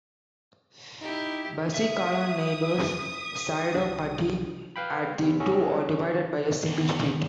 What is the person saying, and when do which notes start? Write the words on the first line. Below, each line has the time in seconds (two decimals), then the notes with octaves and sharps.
Bassi Kalan neighbors Saido Patti, and the two are divided by a single street.
1.02 D#4 E4 G4
1.74 E5 D#6
3.74 C2 G2 D4
4.76 B4 F5 G5 B5
5.22 E2 C3
5.40 C#4 F#4 G#4 A4
6.66 E2 D#3 B3